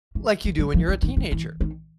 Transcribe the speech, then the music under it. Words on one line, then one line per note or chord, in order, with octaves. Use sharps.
Like, you do when you're a teenager.
E3
F3
F#3
F3
E3
D#3
D#3
E3
D#3